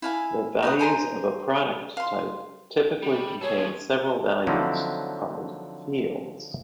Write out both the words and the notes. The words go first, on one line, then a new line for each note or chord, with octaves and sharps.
The values of a product type typically contain several values, called "fields".
E4 F5 G#5
D#4 B4 D#6
C5 G#5 A#5 C6
F5 C6
G3
G#4 A4 C#5
D#2 F3
D3 F3 F#3 C4 D#4 E4